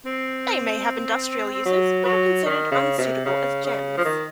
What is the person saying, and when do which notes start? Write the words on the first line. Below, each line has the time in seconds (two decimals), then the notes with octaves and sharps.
They may have industrial uses but are considered unsuitable as gems.
0.06 C4
1.66 F#3
2.05 F#3
2.45 D#3
2.71 C#3
2.98 C3
3.25 C#3
3.65 C#3
3.97 F3
4.05 D#3